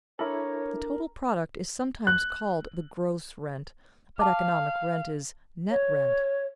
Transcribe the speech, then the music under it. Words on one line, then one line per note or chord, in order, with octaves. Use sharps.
The total product is sometimes called the "gross rent," but economic rent is "net rent."
D4 E4 A4 A#4 C#5
F#6
F5 A5 D6
C#5